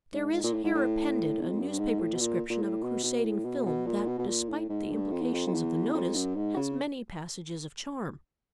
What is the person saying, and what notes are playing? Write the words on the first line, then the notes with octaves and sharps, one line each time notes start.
There is here appended a newspaper description of a crusading film, that, despite the implications of the notice, has many passages of charm.
G#2
G#2
A#2
A2
G#2
A2
E2
F2
F#2
G2
G#2
A2
B2
A#2
A#2
A2
B2
B2
A2
B2
B2
A#2
B2
B2
A#2
A2
G#2
G2
F2
E2
F2
F2
E2
F2
F#2
G#2
C#3